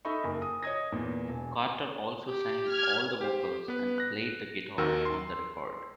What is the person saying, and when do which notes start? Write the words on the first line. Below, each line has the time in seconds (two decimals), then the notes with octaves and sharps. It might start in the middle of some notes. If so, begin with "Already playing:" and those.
Carter also sang all the vocals and played the guitar on the record.
0.05 D#4 A4 D#5 E5 B5 C#6
0.24 F#1 A#3
0.42 D#6
0.63 C#5 D#5 D#6 G#6 A#6
0.92 E2 A#2
1.28 E1
2.27 G4
2.63 F6 G#6
3.21 G4 C5
3.68 B3 B4
3.98 F#6 A#6
4.78 D#2 D#3 F#4 A#4 E6
5.05 C6